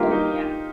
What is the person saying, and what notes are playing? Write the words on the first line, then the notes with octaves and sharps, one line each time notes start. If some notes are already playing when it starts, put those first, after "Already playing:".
Oh, yeah.
Already playing: G2 D#3 A#3 F4 G4
D#4